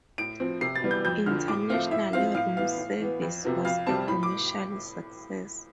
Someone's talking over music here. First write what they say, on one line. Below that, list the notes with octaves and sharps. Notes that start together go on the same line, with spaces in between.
Internationally, "Room Service" was a commercial success.
A2 D7
F3 C4
C3 C7
A6
E3 G3 B3
G6
F2 G6
D3 F3 F6
A2 D6
F3 A3 C4 F5
A2 E5
F3 C4 F5
A2 F5
E3 B3 F5
A2
E3 B3
F2
C3 F3 B3
F2 F5
C3 G3 C4 A5
A2 B5
D6